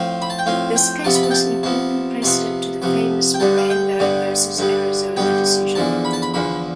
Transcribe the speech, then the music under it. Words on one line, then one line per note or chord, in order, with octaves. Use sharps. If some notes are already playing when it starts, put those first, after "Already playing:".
This case was an important precedent to the famous "Miranda versus Arizona" decision.
Already playing: A2 F3 C4 F5
B5
A5
G5
A2 F3 C4 F5
G5
C3 F3 B3 A5
B5
A5
G5
A5
C3 F3 B3 A5
C3 F3 B3 A5
C3 F3 B3
G5
G2 D3 G3 B3 A5
F5
G5
G2 D3 G3 B3
G2 D3 G3 B3
G2 D3 G3 B3 G5
E2 D3 F3 A5
B5
A5
B5
E2 D3 F3 B5